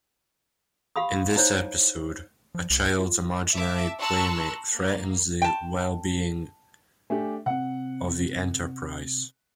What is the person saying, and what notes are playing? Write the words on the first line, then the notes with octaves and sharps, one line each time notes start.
In this episode, a child's imaginary playmate threatens the well-being of the "Enterprise".
G4 F5 B5 D#6
D#4 E4 C5 C#5
F3
C2
F4
E5 A5 D6
A5 A#5 C6 C#6 E6 F#6
A#3
G5 A5
A3 D4 G4 G#5
C3 C4 F#5